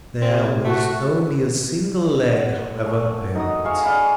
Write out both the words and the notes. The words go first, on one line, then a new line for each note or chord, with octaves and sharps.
There was only a single leg, however, apparent.
C3 C4
A3 F#4
F#5
A3
D#4 F#4 D#6
G#4 F5 C#6 E6
D5 F5 F#5 B5